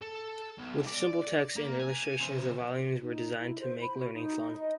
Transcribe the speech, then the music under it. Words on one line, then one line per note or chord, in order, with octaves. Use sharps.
With simple texts and illustrations, the volumes were designed to make learning fun.
A4
B1
D5
A#3
G#5
C#3 C5
D#4
E4
C5
B5
F#4
D#4
D#5